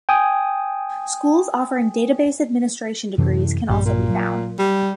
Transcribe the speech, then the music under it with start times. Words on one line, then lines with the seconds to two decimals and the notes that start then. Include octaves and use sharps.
Schools offering Database Administration degrees can also be found.
0.09 G5 G#5 D#6
3.18 F#2 A2 C3 E3
3.69 A#1 G2 G3
3.85 A#2
4.09 F#3
4.59 G3